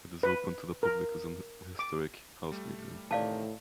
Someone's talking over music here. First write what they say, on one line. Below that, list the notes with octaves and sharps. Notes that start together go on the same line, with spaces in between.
It is open to the public as an historic house museum.
B4
A#4
D6
G3 A3
A2 C3 D#3 E3 D5 F5 A5